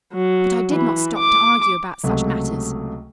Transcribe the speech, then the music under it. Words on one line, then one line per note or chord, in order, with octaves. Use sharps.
But I did not stop to argue about such matters.
F#3
E3
D6
C#2 C3 F#3 A3